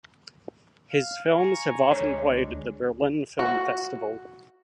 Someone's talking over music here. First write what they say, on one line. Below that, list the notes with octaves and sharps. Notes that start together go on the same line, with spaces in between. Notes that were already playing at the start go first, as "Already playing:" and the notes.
His films have often played at the Berlin Film Festival.
F5
G#5 A#5 C#6
D2 G#3 D4 C#5
F#4